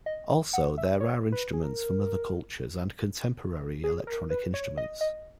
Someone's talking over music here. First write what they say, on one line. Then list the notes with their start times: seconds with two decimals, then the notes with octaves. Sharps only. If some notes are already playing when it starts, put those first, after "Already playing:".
Also, there are instruments from other cultures and contemporary electronic instruments.
0.06 D#5
0.53 F#5
0.78 E5
1.00 C#5
1.32 B4
1.53 G#4
1.64 A#4
3.84 G#4
4.07 A#4
4.30 B4
4.54 C#5
4.77 D#5
5.01 D#5